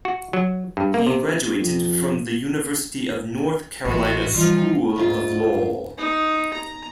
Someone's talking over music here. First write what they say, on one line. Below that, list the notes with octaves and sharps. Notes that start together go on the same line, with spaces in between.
He graduated from the University of North Carolina School of Law.
F#4
F#3
G2
A#3
C3
F2
A1 G#3 D#4 E4 F#4
E3 F3 G3 D#4 F4
D2 G#2 F4
D#4
A#5